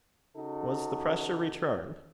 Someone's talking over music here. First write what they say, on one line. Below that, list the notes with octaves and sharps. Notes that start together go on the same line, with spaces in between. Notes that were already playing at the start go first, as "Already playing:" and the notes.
Was the pressure returned?
C#3 D#4 F#4 A4